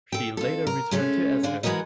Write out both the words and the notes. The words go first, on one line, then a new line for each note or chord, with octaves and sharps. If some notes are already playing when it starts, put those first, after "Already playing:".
She later returned to Asker.
A4 G5
F2 A4
A#4
G#3 A3 C#4 A4
D3 D4 F4 G#4
G#2 E3 G#3 F#4 A#4 D#5